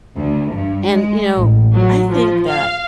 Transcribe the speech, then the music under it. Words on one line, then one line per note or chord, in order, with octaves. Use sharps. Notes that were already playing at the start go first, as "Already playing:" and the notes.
and, you know, I think that,
D2
G2
G#3
A1
F#3
F3
F5